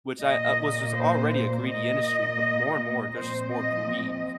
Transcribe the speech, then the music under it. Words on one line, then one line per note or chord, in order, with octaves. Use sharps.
Which I, uh, was just already a greedy industry, but more and more there's just more greed,
A#2 A#3 D#5
C5
C5
A#2 A#3 D#5
A#2 F3 C4 C5
D#5